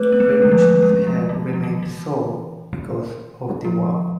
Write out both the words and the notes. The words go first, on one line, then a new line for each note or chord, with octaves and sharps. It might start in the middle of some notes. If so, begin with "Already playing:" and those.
Relations have remained sour because of the war.
Already playing: A3 B4
B3
A3
G#3
F3
G#3
F3
E3
F3
E3
E3
F3